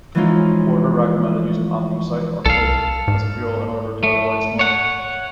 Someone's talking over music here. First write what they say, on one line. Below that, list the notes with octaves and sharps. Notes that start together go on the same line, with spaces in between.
Porter recommended using anthracite or coke as a fuel in order to avoid smoke.
E3 F3 G#3 C#4 D#4 F4
C2 A4 F5
G#2
A3
C#5 F#5